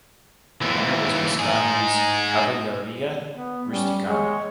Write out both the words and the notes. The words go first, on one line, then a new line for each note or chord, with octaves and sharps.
The winner was Mascagni's "Cavalleria rusticana".
D#2 E3
D#4 G#4
B3
G3 C#4
G#3 C#5